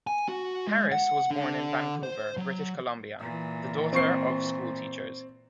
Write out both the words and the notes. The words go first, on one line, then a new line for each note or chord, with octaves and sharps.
Harris was born in Vancouver, British Columbia, the daughter of schoolteachers.
G#5
F#4
G#3
F#5
D3
C5
F#3
A#2 E3
C4 C#6 C7